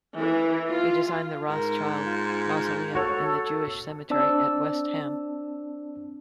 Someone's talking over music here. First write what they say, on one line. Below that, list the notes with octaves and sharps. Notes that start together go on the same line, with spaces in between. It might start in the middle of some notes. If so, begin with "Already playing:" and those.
He designed the Rothschild Mausoleum in the Jewish Cemetery at West Ham.
E3
F4
G#2 A#4
F4
F#4 A4 C#5
C4 D4 D5 A5 E6